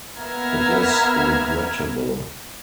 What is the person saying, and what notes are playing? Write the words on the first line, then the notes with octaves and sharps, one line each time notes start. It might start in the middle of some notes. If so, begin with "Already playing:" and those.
It is regrettable.
A#3 B3 E5 A#5 F6 G#6